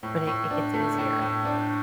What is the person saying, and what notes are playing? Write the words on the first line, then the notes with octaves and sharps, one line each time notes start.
but it it gets easier.
A2
A2
D4
A3
A2
A2
D4